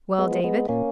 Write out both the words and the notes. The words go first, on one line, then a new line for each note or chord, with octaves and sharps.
"Well, David."
G#3 B3
F3
G#3 B3
A#2 A#3 C#4